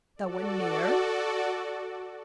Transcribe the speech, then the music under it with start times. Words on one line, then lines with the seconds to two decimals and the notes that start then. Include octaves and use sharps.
No one near.
0.16 F#4 A4 D5